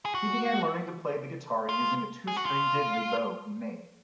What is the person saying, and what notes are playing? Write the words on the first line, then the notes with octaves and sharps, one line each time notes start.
He began learning to play the guitar using a two-string diddley bow he made.
G#4
F#4
F4
G#4
F#4
F4